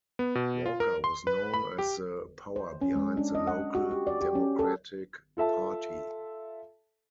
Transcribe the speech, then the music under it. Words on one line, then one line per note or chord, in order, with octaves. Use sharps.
Walker was known as the power behind the local Democratic Party.
B3
B2
F4
A#4
C6
B4
B5
G4
C5
C#4
G#3
D4
D#5
F#5
F#4
G4
D5
G4
C#4
A4
F4 A4 E5 A5